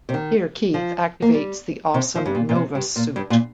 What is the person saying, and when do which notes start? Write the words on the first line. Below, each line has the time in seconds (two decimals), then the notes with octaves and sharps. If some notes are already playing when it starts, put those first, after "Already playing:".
Here Keith activates the awesome Nova Suit.
0.09 C3
0.14 D#3
0.74 F3
1.22 A#3
1.34 G3
1.94 C3
2.15 F3
2.25 G2
2.35 A#2
2.49 A#2
2.55 C3
2.75 G2
2.96 A#2
3.16 G2
3.30 A#2